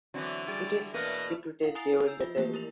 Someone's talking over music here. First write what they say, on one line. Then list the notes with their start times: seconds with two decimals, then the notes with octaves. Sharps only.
It is secretive during the day.
0.14 D3 E3 F#3 B3 C4
0.48 G3 F#4 G#4 D5
0.94 E2 B2 A3 A#3 A#4 B4 D#5
1.63 E4 F5 F#5
1.75 G#5 A#5 D#6 A6 C7 F7
2.07 E6 G6
2.21 F3 F4
2.37 E3 A3 A#3 G4
2.54 E4 A#4 F7